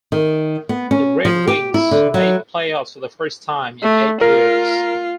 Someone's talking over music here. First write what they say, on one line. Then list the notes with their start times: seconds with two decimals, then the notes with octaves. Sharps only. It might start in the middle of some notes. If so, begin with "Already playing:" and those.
The Red Wings made the playoffs for the first time in eight years.
0.12 D#3
0.69 B3
0.91 C#4
1.25 F3
1.47 G4
1.74 E4
1.91 D3
2.14 F#3
3.83 A3
4.21 F4 A#4